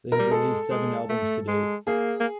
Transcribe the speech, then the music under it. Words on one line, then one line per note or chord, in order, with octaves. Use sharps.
They have released seven albums to date.
A#4
G3
G#3 A4
G#3
A3
G#3
A#3 G#4
A#3